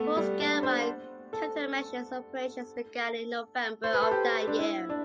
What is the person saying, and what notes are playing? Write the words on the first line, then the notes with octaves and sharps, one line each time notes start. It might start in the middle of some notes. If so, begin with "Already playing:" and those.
Full scale mine countermeasures operations began in November of that year.
Already playing: A3 B3
G3
D4
C5
A4
C5
B4
A4
G4
D4
E4
D4